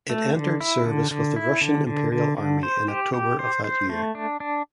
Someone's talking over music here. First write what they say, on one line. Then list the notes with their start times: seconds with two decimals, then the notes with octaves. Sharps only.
It entered service with the Russian Imperial Army in October of that year.
0.10 A3
0.35 D3
0.61 E4
0.85 D3
1.11 D3
1.36 E4
1.61 D3
1.87 D3
2.12 D3
2.37 D3
2.63 C5
2.88 G4
3.14 G4
3.39 C5
3.64 C5
3.89 A3
4.15 D4
4.40 D4